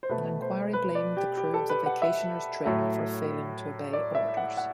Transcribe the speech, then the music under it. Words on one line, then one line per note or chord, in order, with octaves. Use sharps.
An inquiry blamed the crew of the vacationers' train for failing to obey orders.
C5
B2 A3 B4
C5
B4
D5
G4
G4
A4
B4
F#5
E5
A2 F#3 A3
D5
E5
F#5
F#5